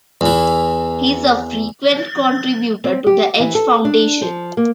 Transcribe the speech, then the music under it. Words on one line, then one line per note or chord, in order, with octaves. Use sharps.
He is a frequent contributor to the Edge Foundation.
E2 E3
C4
G4
E3
A4
D4
F3
A#3